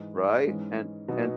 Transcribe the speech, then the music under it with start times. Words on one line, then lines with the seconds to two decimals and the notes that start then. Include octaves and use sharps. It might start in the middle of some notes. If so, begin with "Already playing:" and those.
right? And and
Already playing: G#2 E3 G#3
0.46 G#2 E3 G#3 C#4
1.08 B2 F#3 B3 D#4